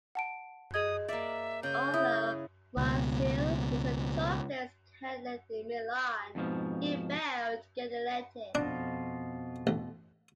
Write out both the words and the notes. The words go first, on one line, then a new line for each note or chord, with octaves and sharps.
Although Marsili was a top-list candidate in Milan, he failed to get elected.
F#5 A5 D7
G#4 D#5 D#6 G#6
A#3 D5 E5
C#3 G6
E4 E5 D#6
C#2 B2
F2 G#2 B2 F3
F2 B2 D4 F4
A1